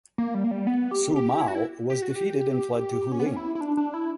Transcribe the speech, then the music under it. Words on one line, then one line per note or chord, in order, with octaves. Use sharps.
Su Mao was defeated and fled to Huling.
A#3
G3
A#3
G3
B3
G4
G4
E4
F#4
E4
G4
F#4
G4
C#4
B3
C#4
E4
E4
D4
D4
E4